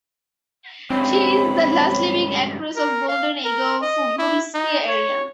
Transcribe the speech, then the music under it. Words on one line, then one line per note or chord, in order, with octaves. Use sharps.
She is the last living actress of Golden Age of Burlesque era.
C#2 G2 C4 C#5 B5
A#4
F5
A#4
D#5
E4
D#4
C#5